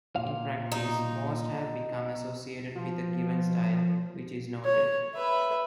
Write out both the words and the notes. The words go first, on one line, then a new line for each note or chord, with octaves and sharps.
In practice, most have become associated with a given style, which is noted.
A#2 F5
D#4
F3
C#5
B4 E5